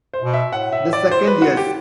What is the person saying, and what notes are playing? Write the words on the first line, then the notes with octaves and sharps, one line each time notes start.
The second, Yes!
C5
B2
E5
A2 F#5
E5
D5
C5
B4
F#4
G4